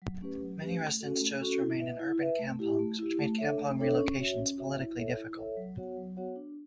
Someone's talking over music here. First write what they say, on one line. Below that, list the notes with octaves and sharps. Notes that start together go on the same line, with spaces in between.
Many residents chose to remain in urban kampongs, which made kampong relocations politically difficult.
F#3
A3 C#4 G4 B4
F#3
A3 C#4 G4 B4
A3
C#4 F#4 A4
A3
C#4 F#4 A4
E4
B4 E5
E4
B4 E5
A3
E4 G4
A3
E4 G4
A3
D4 A4 C#5 E5
A3
D4 A4 C#5 E5
C#4
F#4 C#5 E5
C#4
F#4 C#5 E5
E4
A4 C#5 E5
E4
A4 C#5 E5
F#3
B3 F#4 C#5 F#5
F#3
B3 F#4 C#5 F#5
D4